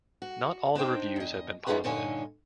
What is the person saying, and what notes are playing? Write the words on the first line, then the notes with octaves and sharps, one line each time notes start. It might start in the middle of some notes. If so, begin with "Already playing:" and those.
Not all the reviews have been positive.
F#4
D4 D#4 C5 G5
E2 D#5
A3 C#4 D#4 F4 G#4 B4
G2 A#2 D3 D#4 C#5 G#5